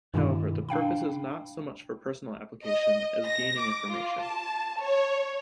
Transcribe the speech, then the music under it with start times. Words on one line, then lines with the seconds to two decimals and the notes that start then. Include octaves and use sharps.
However, the purpose is not so much for personal application as gaining information.
0.14 G2 B2 D#3 G#3 A#3 E4
0.69 D4 F5 G5 B5
2.65 D#5
3.24 A#6
3.61 D6
3.91 F4
4.22 A5
4.82 C#5